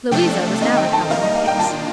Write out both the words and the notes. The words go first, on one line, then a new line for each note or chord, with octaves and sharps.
Louisa was now recovering apace.
C3 F3 A3 D4 A4 G5
D#3 A3 C4 D#4 D#5
G5
A5
G3 A#3 D#4 A#4 F5
D#5
F5
G5
D#3 A#3 D4 F4 A5